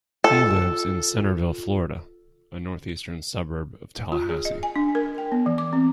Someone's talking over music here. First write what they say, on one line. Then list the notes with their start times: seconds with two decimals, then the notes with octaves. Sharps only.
He lives in Centerville, Florida, a northeastern suburb of Tallahassee.
0.24 F4 A4
4.12 F4
4.29 G#4
4.45 D#5
4.63 G#5
4.76 D4
4.95 A#4
5.18 G5
5.32 B3
5.46 E3
5.58 D6
5.73 C4